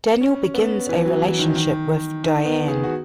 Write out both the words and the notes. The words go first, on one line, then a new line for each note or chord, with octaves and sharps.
Daniel begins a relationship with Diane.
C#4
B3
E3
F#3
E3
D#3
D#3
D#3
B3
G#4
F#4